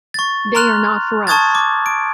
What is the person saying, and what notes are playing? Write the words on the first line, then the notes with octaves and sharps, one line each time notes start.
They are not for us.
C#6 A6
A#5 C6 F6 F#6 F7
A5 C#6 D#6 G#6 A6
D6
D7